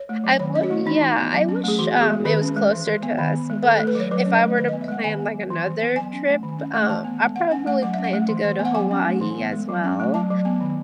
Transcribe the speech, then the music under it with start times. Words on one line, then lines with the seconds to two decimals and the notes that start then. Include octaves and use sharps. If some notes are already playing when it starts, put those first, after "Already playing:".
I would yeah. I wish, um, it was closer to us, but if I were to plan, like, another trip, uh, I probably plan to go to Hawaii as well,
Already playing: C#5
0.09 A3
0.24 F#3
0.39 D#3 C#5
0.55 C#4 D#5
0.63 F#4
0.70 A3 E4
0.86 E3 D#4
1.01 E3
1.18 B3
1.33 F#3
1.49 C#4
1.64 A3 G#4
1.79 E3 F#4
1.95 B3
2.02 G#4
2.09 G#3
2.25 D#3 B4
2.41 C#4
2.57 G#3
2.72 E3
2.87 E3
3.03 B3
3.18 D#3
3.33 B3
3.50 G#3
3.64 D#3 A4
3.76 A3 A4
3.87 B4
3.95 F#3 C#5
4.11 F#3 B4
4.26 C#4
4.34 D#5
4.43 A3
4.57 D#3 B4
4.68 B3 D#5
4.81 E5
4.88 G#3 F#5
5.04 D#3 G#5
5.19 B3
5.34 F#3
5.50 E3
5.66 E3
5.82 B3
5.96 F#3 G#5
6.13 C#4
6.27 A3
6.43 D#3
6.59 C#4
6.74 A3
6.89 E3 A5
7.04 B3
7.21 G#3
7.36 E3 F#5
7.51 C#4 G#5
7.66 A3 F#5
7.82 F#3 F#5
7.93 C#4 E5
8.04 F#5
8.14 A3
8.29 E3
8.45 E3
8.59 B3
8.65 F#5
8.75 F#3 G#5
8.91 C#4
9.07 A3
9.21 E3
9.37 B3
9.52 G#3
9.69 F#3
9.84 C#4
10.00 A3
10.14 F#3 A5
10.30 F#3
10.45 B3
10.60 D#3